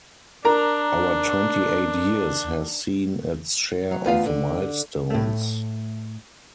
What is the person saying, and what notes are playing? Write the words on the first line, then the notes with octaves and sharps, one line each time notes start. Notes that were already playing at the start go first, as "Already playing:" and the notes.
Our twenty-eight years has seen its share of milestones.
D4 A#4 A#5
F#3
D2 B3 F4 F5
D3
A2 A3